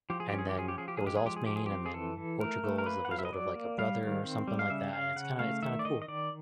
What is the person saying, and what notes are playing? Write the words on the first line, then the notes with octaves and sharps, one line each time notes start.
and then it was all Spain, and then Portugal was the result of, like, a brother, or something like that, and it's kinda it's kinda cool.
F3 G4
G#4
G4
C#4
G#4
G4
F3 G#4
G4
F3 G#4
G4
G#4
G#3 G4
G#4
F3 G4
G#4
F3 G4
G#4
G4
C4
G#4
E3 A4
E3
A3 A#4
A3
A#4
A#3 B4
F#5
F#3 F5
E5
D#5
F#3 D5
A#3
G3 F5
D#3
C4
G3
F5
C#3 E5
C#4 F5
C#3 F#5
A3 F5
D#3 E5
D5
D#3 D#5
D#5
D#3 D5